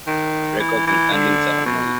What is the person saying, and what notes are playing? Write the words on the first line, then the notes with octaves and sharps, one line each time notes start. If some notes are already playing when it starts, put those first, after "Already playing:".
Records and standings are unknown.
D#3
E3
E3
D3
B2